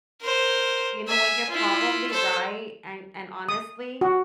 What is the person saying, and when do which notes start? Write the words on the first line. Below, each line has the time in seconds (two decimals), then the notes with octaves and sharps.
You know what, you're probably right, and and, honestly,
0.21 A#4 C5
1.08 E5 G#5
1.50 E4 F4
2.11 A4 C5
3.49 D#6
4.01 F#4